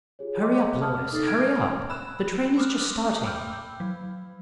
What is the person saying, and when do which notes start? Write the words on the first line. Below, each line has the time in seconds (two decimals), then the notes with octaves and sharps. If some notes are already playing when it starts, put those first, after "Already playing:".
Hurry up, Lois; hurry up! the train is just starting!'
0.19 F4 G4 G#4 C#5
0.40 D#5 G5 C6 D6
0.81 F#5 A5 D6 D#6 F6
1.12 D#4 A4 D6 A6 C7
1.27 F6 F#6 G#6 D7
1.90 B5 E6 F#6 E7
2.57 C6 D6 D#6 F6 F#6
3.23 G5 B5 D6 E6 F6 G6
3.80 F#3